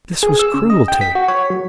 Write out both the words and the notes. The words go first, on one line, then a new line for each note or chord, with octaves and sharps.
This was cruelty.
G#4
E6
C#3
D#5
G5
B6
F#4
C#5
F#3